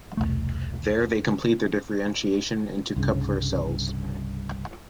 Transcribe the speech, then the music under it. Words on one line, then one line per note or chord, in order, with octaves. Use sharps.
There they complete their differentiation into Kupffer cells.
E1 C2 A3
C2 G2 C#3